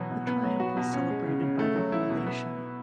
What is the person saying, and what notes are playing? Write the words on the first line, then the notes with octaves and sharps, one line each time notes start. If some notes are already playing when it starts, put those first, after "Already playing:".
The triumph was celebrated by the whole nation.
Already playing: B2 E3 F#3 B3
B2
B3
F#3
F#4
B2
C#4
G#3
C#3
C#3
A3
F#3
E4
B2
B3